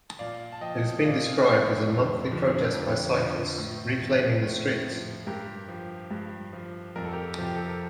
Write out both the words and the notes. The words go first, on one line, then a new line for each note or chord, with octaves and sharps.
It has been described as a monthly protest by cyclists reclaiming the streets.
A#2 D5 F5
A5
F3 D#5 G5
D#5
A#2 D5 F5
F3
F2
D3 F3
F2
D3 F3
A2
F3
A2
F3
G2 G4 A#4
F3
G2
F3
F2 A#4
A4
G4 A#4
C3 F3 G4
A4
A#4